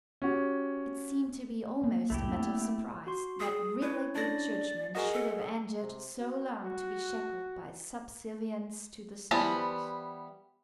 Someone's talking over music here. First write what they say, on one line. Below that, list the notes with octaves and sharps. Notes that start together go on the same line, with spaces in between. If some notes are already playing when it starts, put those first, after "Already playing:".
It seemed to be almost a matter of surprise that really good Churchmen should have endured so long to be shackled by subservience to the State.
C#4 F#4 G4
A#3
C2 F2 A3 E4 G4
A#3 C4
F#4 C6
G#4 D#6 E6
C#4 E4 B4 C#5
D4 D5 A#6
F#4 G#4 A#4 D#5 F#5
A4
C3
F#4
F#4
E3 G3 B3 C5 A5